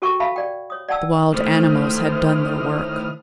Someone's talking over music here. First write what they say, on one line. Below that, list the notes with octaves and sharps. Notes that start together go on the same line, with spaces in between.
The wild animals had done their work.
F#4 A4 A#4 G5 C#6
A4 E5 F5 A5 B5
D5 G5
C#5 D#6
D5 F#5 G5 A5 E6
A2 D#3 A3 C5 D#6 F6